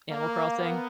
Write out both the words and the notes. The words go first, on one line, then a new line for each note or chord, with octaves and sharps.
Animal Crossing?
A#3
B3